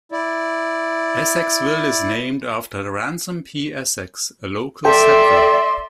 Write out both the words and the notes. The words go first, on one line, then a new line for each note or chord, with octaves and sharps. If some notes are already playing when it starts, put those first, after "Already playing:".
Essexville is named after Ransom P. Essex, a local settler.
E4 D5
A4 D5 E5 G5 C6